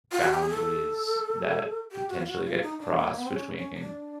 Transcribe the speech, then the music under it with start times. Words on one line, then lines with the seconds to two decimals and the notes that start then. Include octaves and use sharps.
boundaries that potentially get crossed between,
0.12 F4
0.21 F#4
0.32 G4
0.41 G#4
0.50 A4
1.92 G4
2.09 F#4
2.19 F4
2.27 F#4
2.45 F4
2.62 D#4
2.80 D4
2.97 A#3
3.16 B3
3.25 C4
3.33 C#4
3.57 C#4
3.75 D#4
3.81 D4